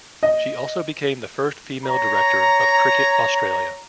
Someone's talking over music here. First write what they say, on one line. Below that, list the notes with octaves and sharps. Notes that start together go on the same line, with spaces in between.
She also became the first female director of Cricket Australia.
D#5
C#5 A#5